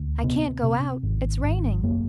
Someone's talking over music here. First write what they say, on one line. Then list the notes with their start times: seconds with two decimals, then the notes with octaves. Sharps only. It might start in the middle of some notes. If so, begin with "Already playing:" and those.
I can't go out, it's raining.
Already playing: D2
0.23 C3 B3
0.63 C3
1.03 G#1
1.43 G#1
1.83 F#2 A#3